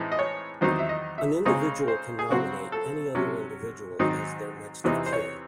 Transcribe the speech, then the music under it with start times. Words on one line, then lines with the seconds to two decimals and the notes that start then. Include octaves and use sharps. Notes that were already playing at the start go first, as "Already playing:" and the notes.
An individual can nominate any other individual as their next-of-kin.
Already playing: A2 E3 G#3 C4 D#4
0.12 D#5
0.19 C#5
0.61 E2 D#3 F#3 C4 D#4 C5
0.79 E5
0.89 D#5
1.18 E5
1.45 C#3 G#3 C4 D#4 D#5
1.88 C5
2.19 G#4
2.30 C#3 F#3 C4 F#4
2.72 A4
3.15 C3 F#3 C#4
3.99 G#2 D#3 F#3 C4 D#4
4.84 E2 C3 E3 C4 D#4
5.06 C5
5.13 C#5